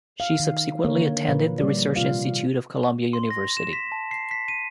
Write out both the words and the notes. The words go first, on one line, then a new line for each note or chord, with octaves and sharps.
She subsequently attended the research institute of Columbia University.
F5
D#3
D3 A#3 A#4 C#5
A#2 E3 F3 A#4 B4
G3 D5
C3 F4 F5
C6
A#6
E7
B6
A5
C7
B6
D#7